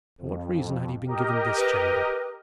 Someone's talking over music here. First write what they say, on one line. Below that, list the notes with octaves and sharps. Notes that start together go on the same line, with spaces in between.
For what reason had he been given this chamber?
F2
G4 A#4 D#5
B4